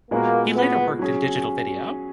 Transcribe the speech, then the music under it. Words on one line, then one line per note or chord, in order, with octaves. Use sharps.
He later worked in digital video.
A#2 G#3 A#3 B3 F#4
B3
F#3 C#4 G#4